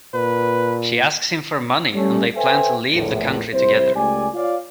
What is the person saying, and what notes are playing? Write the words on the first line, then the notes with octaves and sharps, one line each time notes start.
She asks him for money and they plan to leave the country together.
A#2 B4
G3 A3 C#4
A4 B4 C5 E5 G5 G#5
A#1 E2 A2
C2 C3 E4 C5
C#2 A3 G4 D5 G#5
F4 C#5 D5 F5